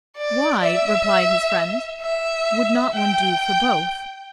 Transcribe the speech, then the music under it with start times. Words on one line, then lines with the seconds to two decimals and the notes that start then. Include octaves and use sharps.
"Why," replied his friend, "would not one do for both?"
0.17 D5
0.64 E5
2.02 E5
2.93 G5
3.39 G5